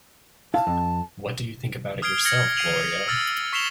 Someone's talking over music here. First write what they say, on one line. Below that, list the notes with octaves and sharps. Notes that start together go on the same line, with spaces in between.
What do you think about it yourself, Gloria?
E4 F5 A5
F2
D#6 F6 G#6 C7 D7 G7
F6 G#6 A#6 C#7 F#7
G#6 C7 D7 D#7 F7 F#7
E6 F6 A6
C#6 B6 C7 E7 F7 G7